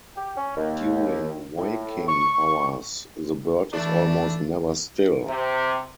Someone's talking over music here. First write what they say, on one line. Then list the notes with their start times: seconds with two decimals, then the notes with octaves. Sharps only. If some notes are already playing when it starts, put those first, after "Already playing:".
During waking hours the bird is almost never still.
0.17 G4
0.38 C#4
0.57 D#2
1.59 A2
2.08 C#6
3.73 E3 A3 D4
5.26 C3